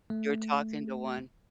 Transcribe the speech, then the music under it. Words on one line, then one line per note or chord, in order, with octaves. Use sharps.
You're talking to one.
A3